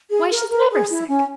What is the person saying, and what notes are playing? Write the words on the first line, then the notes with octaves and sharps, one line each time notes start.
Why, she's never sick!
G#4
A#4
A#4
G#4
E4
C#4